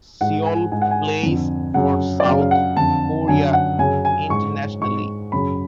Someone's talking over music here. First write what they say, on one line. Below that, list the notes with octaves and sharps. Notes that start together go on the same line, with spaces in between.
Seol plays for South Korea internationally.
G#2 F#5
G#5
G#2 G#5
F#5
G#5
F2 D3
F#2 C#3 F#5
D5
F#2 C#3 F5
F5
F#5
F2 D3 A5
F#2 D3 G#5
F#5
F#2 C#3 G#5
G#5
G#2 C#6
G#2 C#6
F#2 C#3 B5